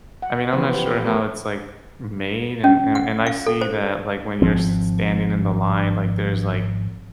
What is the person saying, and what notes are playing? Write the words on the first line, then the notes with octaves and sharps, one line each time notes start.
I mean, I'm not sure how it's, like, made and and and I see that, like, when you're s standing in the line, like, there's, like,
F#5
E3 F3 B3 G4 B4 C5
G4
A3 B3 A#4
C#4
F#5
F5
A4
C5
G#1 E2 F3 C4